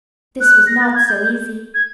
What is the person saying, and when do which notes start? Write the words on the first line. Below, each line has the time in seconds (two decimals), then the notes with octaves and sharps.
This was not so easy.
0.41 F#6
0.67 A#6
0.80 A6
0.95 G#6
1.08 G6
1.74 G#6